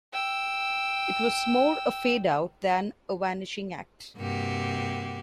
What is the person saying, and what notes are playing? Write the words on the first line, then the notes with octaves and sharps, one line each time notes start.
It was more a fade-out than a vanishing act...
G5 E6
G2 C3 A#3 F#4 G4